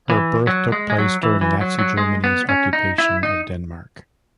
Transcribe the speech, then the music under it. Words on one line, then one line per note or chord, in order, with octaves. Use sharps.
Her birth took place during Nazi Germany's Occupation of Denmark.
E3
F#3
G#3
G#3
F#3
E3
E3
F#3
F#3
G#3
B3
C#4
D#4
E4
D#4